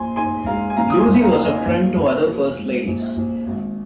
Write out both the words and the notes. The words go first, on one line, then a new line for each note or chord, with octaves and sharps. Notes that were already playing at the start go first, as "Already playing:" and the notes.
Lucy was a friend to other First Ladies.
Already playing: A#1 G#5 C6
D#4 G#5 C6
G#3 F5 A#5
G#5
A#2 F5 A#5
D#6
G#5 C6
A#1
F5 A#5
D#4 F5
D#5 G#5
G#5
A#1 F5
A#1
F3
G#2
A#1
A#1
G#1